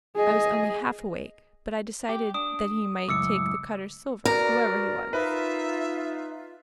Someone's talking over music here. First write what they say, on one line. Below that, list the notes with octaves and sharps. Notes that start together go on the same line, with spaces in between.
I was only half awake, but I decided that he might take the Cutters' silver, whoever he was.
G#4 D#5
G4
D4 D#6
C#2 F#2 A2 D6 E6 C#7
F#4 A#4 B4 D5
D#4 F4 B4 E5